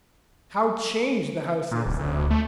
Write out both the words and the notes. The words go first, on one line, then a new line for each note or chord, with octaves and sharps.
How changed the house is, though!
A#2
D1
D2
A3